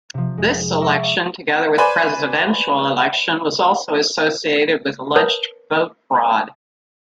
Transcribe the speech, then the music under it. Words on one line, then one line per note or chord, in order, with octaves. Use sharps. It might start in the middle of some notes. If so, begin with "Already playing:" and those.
This election, together with presidential election, was also associated with alleged vote fraud.
C3 F3
F1 G#3
E5 A#5 C#6 D6 E6
B4 C5 D5 G#5 B5
A#4 B4 C#5 A5 D#6 G6